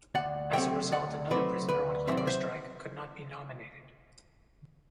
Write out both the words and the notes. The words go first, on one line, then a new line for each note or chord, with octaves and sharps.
As a result, another prisoner on hunger strike could not be nominated.
D2 D5 F#5
C3 F#3 A3 C4 E5 G5
D2 D5 F#5
C3 F#3 A3 C4 B4 D5
D2 B4 D5
C3 F#3 A3 C4 E5
D5
C5 E5